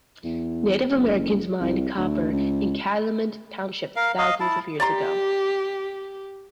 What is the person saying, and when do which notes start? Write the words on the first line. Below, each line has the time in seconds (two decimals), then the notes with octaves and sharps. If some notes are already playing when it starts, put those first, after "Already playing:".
Native Americans mined copper in Calumet Township thousands of years ago.
0.23 E2
0.93 F#1
1.61 C2
1.97 D2
2.32 C#2
3.96 A#4 F5
4.18 D#5 F5
4.40 E4 A5
4.80 G4 D5 A#5 C6